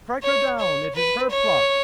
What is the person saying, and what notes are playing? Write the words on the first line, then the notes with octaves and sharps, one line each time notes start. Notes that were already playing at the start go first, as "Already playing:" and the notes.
Strike her down; it is her plot.
C#5
C#5
B4
C#5